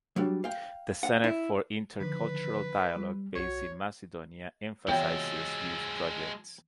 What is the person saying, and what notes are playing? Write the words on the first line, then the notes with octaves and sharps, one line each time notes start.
The Center for Intercultural Dialogue based in Macedonia emphasizes youth projects.
F#3 G3 D4
F5 G5
F5 F#5
E4
D3 D#3 F3 B4
G3
B1 F#4 C#5
E3 G#3 B3 F4 F#4 A4 C#5 G5